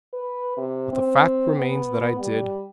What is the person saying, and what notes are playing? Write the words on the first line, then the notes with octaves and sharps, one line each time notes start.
But the fact remains that I did.
B4
C3
C4
B3
G3